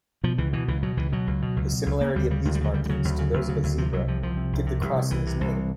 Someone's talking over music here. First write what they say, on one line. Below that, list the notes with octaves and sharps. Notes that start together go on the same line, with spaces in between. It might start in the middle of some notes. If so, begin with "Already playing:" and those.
The similarity of these markings to those of a zebra give the crossing's name.
B2 F3
C#2 E3
B2 E3
C#2 E3
B2 F#3
C#2 E3
B2 F#3
C#2
B2
C#2
B2
C#2
C#3 A#3
D2 G3
C#3 G3
D2 G#3
G3
C#3 F#3
D2 G3
G3
C#3 F#3
D2
C#3
D2
C#3
D2
C3 F3
C2 F#3
C3 F3
C2 F3
C3
C2
C3
C2
C3
C2 E3
C3
C2